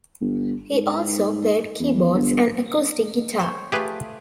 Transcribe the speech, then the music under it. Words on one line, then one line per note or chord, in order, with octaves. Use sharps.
He also played keyboards and acoustic guitar.
G1
G#2
E2
G1
C5 C#5 C6
A3 F4 G4 G#4 B4